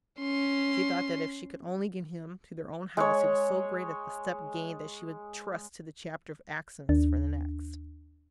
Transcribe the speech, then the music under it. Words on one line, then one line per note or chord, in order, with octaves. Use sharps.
She thought that if she could only get him to their own house, it was so great a step gained that she would trust to the chapter of accidents for the next.
C#4 C6
G#3 C#5
D#2 D4